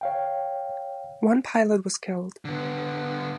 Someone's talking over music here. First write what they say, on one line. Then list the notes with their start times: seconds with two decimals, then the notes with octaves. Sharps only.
One pilot was killed.
0.01 C#5 F5 G5
2.45 D3 B3